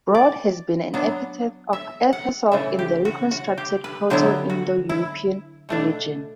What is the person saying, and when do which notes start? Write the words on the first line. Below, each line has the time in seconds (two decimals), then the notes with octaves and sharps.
"Broad" has been an epithet of Earth herself in the reconstructed Proto-Indo-European religion.
0.15 D5
0.94 F#3 B3 D4
1.73 E5
2.13 F#5
2.52 C#3 E3 A3 E5
2.79 G4
3.05 F#4
3.31 F#4
3.58 G4
3.84 B4
4.10 D3 F#3 B3 E4 G4
4.50 F#4
4.89 E4
5.69 B2 A3 D4